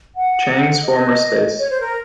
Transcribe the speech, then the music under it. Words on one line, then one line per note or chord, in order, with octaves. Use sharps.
Chang's former space.
F#5
D#5
C#5
C5
A#4